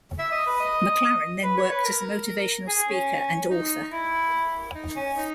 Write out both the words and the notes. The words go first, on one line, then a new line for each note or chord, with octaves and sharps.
MacLaren then worked as a motivational speaker and author.
E5
D#5
B4
D#5
B4
C#5
B4
A#4
G#4
C#4
D#4
E4
D#4
C#4
D#4